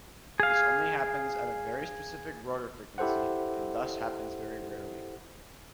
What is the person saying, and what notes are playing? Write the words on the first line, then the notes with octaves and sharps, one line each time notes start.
This only happens at a very specific rotor frequency and thus happens very rarely.
G#4 F5
E4 G4 A4 C5 F#5